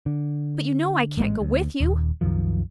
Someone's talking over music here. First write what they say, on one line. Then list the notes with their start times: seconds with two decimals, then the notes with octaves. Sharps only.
But, you know I can't go with you.
0.06 D3
1.17 A1 G#2 B2 G#3
1.41 D2
1.80 D#1 D#2
2.21 C2 F#2 D#3 F3